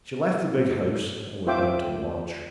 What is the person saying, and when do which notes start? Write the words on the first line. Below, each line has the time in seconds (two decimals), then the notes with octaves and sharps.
She left the big house and went down to the lodge.
1.47 F4 C5 E5 G5 D6